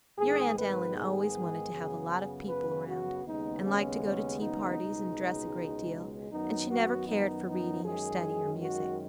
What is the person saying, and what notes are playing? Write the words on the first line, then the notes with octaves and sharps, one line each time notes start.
Your Aunt Ellen always wanted to have a lot of people around, and liked to go to tea-parties and dress a great deal; and she never cared for reading or study or music.
G#2 D#3 B3 G#4
B4
G#4
F#2 C#3 B3
B4
F#4
D#2 C#3 G#3 B3 D#4
C#4
C#4
D#4
C#2 B2 G#3
F#2 D#3 F#3 B3 D#4
F#4
D#4
D#4
F#2 D#3 G#3 G#4
F#4